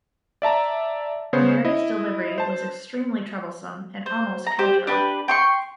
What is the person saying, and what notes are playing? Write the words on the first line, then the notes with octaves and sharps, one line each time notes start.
Berry's delivery was extremely troublesome and almost killed her.
D5 E5 A5 A#5
C#3 B3 C5 C#5
E4 D#5
C5 A5
C5
A#5
G4 C5
D4 G4 B4
G5 C6 C#6